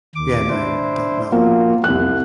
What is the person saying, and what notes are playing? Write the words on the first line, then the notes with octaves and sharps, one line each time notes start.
Again I don't know.
D#2 D6
D4 E4 C5
F3 A#3 F4 F#4
C2 F2 F#6